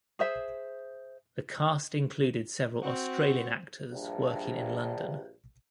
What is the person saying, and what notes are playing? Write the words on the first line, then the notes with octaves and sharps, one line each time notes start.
The cast included several Australian actors working in London.
G#4 C5 E5
C4 F#4
A#1 G2